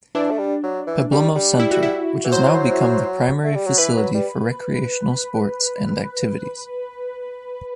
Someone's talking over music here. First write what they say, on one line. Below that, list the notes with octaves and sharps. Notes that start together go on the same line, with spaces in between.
Pablumbo Center, which has now become the primary facility for recreational sports and activities.
E3 D4
A3
G3
F#3
E3
G3
G3
E4
F#4
E4
E3
F#3 C5
A3
G3
F#3
E3 B4
F#3
G3